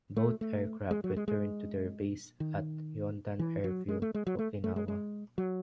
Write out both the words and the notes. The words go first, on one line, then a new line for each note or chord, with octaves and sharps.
Both aircraft returned to their base at Yontan Airfield, Okinawa.
A3
A3
G#3
F#3
G#3
G#3
D#3
E3
F#3
G#3
A3
G#3
F#3
A3
A3
G#3
G#3
F#3